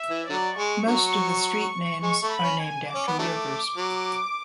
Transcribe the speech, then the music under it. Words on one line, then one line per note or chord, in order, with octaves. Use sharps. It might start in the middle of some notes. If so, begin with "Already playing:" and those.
Most of the street names are named after rivers.
Already playing: E5
E3
D3 F#3 D5
G#3 C#6
D3 F#3
G#3 C#6
A3
B5
C#4
G#5
D6
C#4
B3
D3 F#3 A3 D6
F#3